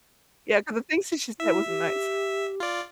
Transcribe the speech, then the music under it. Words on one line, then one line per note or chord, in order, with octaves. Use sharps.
Yeah, ‘cause the things that she said wasn't nice.
E4 E5
G4
F4 D5